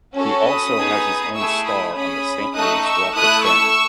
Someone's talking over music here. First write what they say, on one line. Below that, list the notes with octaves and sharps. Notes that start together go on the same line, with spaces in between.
He also has his own star on the Saint Louis Walk of Fame.
C#4 F#4 A4
B5 D#6
B3 D#4 G#4
A3 E4 G#4 C#6 E6
B5 D#6
C#4 G#4 B5 D#6
A3 D#4 A4 D#6 F#6
C#6 E6
A3 E4 A4 D#6 F#6
C#6 E6